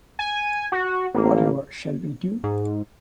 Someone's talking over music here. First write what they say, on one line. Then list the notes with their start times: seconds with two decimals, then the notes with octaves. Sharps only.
Whatever shall we do?
0.19 G#5
0.72 F#4
1.14 A1 A#3
2.44 G#2